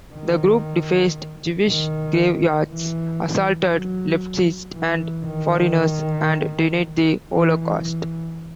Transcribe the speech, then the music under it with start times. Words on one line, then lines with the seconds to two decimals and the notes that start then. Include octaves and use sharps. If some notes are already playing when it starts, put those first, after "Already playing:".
The group defaced Jewish graveyards, assaulted leftists and foreigners, and denied the Holocaust.
0.14 D#3
1.68 D#3
2.70 E3
3.72 F#3
4.74 E3
5.25 D#3
7.30 E3
7.81 E3